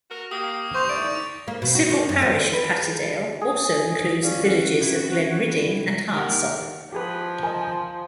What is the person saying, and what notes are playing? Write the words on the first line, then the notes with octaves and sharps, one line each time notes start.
The civil parish of Patterdale also includes the villages of Glenridding and Hartsop.
F#4 A#4
A#3 G4 D#6
C5 C#6 F7
G2 E3 A3 D5 D7
A#3
B2
F#4
D#3
F#2
C4
B4
G#4
C#4 G#4 D5 F5
C#3 F#4
C3 E4
D#2 D#3 G4 A#4 F#5
F3 G4 G#4 B4
A#4 D#5 G#5